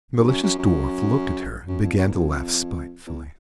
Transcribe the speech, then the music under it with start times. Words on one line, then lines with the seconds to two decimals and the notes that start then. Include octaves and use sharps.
The malicious Dwarf looked at her and began to laugh spitefully.
0.19 G2
0.28 F#2
0.43 F#2
0.59 F#2
1.68 F#2
1.83 F2
1.98 F#2
2.08 E2
2.14 F2
3.07 E2